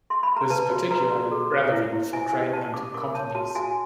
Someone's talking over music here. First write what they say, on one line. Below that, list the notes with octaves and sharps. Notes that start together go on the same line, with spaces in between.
This is particularly relevant for crane rental companies.
C6
B5
A#5
B4 A5
F#4
B4 A#5
F#4
A4
C5
E4
E4
E4 G#5
G4 G5
C5 A5
C#4 D6
A#4 D6
C#5 A5
F#4 A5
F#4 G#5